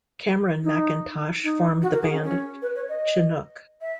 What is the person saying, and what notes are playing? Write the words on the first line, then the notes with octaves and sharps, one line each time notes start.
Cameron MacIntosh formed the band Chinook.
D#4
D#4
F#4
A#4
G#4
C#4
C#4
B4
C#5
D#5
E5